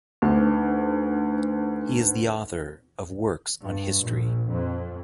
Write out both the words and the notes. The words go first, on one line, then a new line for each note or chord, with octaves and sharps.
He is the author of works on history.
D2 D4 D#4 B4
G2
A#1
F2